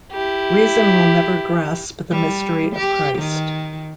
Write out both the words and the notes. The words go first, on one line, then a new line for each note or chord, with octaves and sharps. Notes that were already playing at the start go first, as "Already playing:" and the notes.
Reason will never grasp the mystery of Christ.
E4 G4
G3
G4
D#3